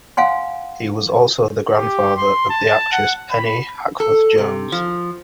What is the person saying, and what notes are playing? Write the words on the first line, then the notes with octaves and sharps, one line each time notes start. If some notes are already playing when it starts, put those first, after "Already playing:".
He was also the grandfather of the actress Penne Hackforth-Jones.
F5 F#5 G#5 C6
G4
C6
A5
F#5
B5
A4
C3
F3